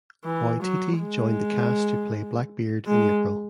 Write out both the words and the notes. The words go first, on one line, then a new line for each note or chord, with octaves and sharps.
Waititi joined the cast to play Blackbeard in April.
E3
F#3
G#3
G#3